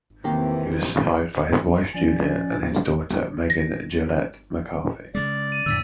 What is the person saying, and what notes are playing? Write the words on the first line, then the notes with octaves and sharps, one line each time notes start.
He was survived by his wife Julia and his daughter Megan Gillette McCarthy.
E2 C3 D#3 E3 A#3 G4
F3 C#4 D5
A#6
C#3 G#3 D5
D#7
F2 A2 D3 E6 A6 B6